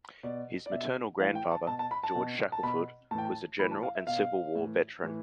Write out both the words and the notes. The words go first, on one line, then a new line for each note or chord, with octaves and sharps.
His maternal grandfather, George Shackelford, was a General and Civil War veteran.
B2 D5
D5
B2 E5
A2 E3 F5
G5
A5
B2 A5
A5
B5
A5
B2
A5
B2 B5
A2 E3 G5 A5
A5
A2 E3 B5
A5
F5
E5
B2 F5
A2 E3
A2 E3